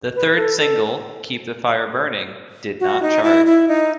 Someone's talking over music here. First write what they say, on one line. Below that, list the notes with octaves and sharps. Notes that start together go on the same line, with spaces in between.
The third single "Keep The Fire Burning" did not chart.
B4
A4
A4
F#4
D#4
E4
E4
D#4